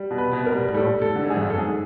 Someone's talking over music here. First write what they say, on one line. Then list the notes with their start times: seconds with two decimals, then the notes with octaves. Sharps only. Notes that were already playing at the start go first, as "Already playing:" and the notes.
I am a broken man.
Already playing: G3
0.11 B2
0.18 B4
0.32 B2
0.46 A#4
0.52 G3
0.74 G3 A4
0.95 G3
1.02 A4
1.15 D3
1.30 G#4
1.37 F#2
1.50 A4
1.58 G#2 G#4